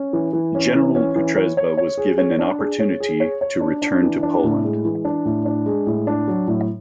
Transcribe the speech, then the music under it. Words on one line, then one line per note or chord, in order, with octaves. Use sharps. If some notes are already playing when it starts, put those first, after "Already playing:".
General Kutrzeba was given an opportunity to return to Poland.
Already playing: C#4
E3
E3
C#4
E3
C#4
E3
C#5
C#5
C#5
G#4
C#5
D4
G#4
C#5
G#4
C#5
C#5
D4
D4
E3
D4
A2
G#3
E3
D4
A2
D4
G#3
A2
D4
F#3
A2